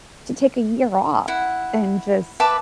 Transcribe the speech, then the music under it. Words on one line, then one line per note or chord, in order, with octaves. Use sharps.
to take a year off, and just,
E4 F#5
B4 E5 A5 D6